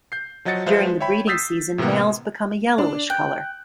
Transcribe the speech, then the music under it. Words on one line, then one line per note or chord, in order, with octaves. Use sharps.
During the breeding season males become a yellowish colour.
G6 C7
F3 F#3 D#5 F#5 A6 C#7
F3 G#3 B4 C5 E5 F5
C#5 E5 G5 B5
D#6 E6 G6 A6 B6 C7
A2 C3 E3 A#3 B3
D4
G5 F#6